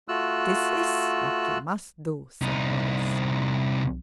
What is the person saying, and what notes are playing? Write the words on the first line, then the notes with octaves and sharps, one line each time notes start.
"This is what you must do," said Boris.
A3 F4 F#4 E6 F#6
C2 D#4